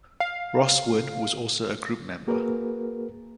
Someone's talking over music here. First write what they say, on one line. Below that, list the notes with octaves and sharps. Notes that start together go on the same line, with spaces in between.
Ross Wood was also a group member.
F5
A#3 F#4 G#4 A#4 B4